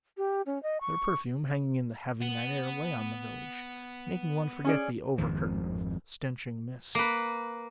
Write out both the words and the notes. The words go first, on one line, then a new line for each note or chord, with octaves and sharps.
Their perfume, hanging in the heavy night air, lay on the village, making one forget the over-curtain of stenching mist.
G4
C#4
D#5
C#6
B3
C#4 G#4 D5
G#1 F2 D#3 F3
A#3 B4